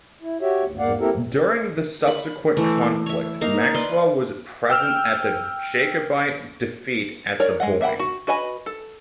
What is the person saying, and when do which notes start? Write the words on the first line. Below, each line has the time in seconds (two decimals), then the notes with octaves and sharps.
During the subsequent conflict Maxwell was present at the Jacobite defeat at the Boyne.
0.21 E4
0.41 F#4 G4 C#5 E5
0.64 D2
0.79 E2 G#2 A#3 D5 F5 F#5
1.00 A#3 C4 E4 G4 A4 A#4
2.07 B5
2.57 E3 A3
3.06 C#5 E5
3.41 A#3 D#4 F5 A#5
3.74 B4 D5 C6
4.70 G5 E6 F6
7.40 A#4 C#5 D5
7.60 G#3 D#5 F#5
7.81 A#3 E5 F#5 G5 B5
7.99 F#4
8.27 F#4 B4 D#5 G#5 B5
8.66 A4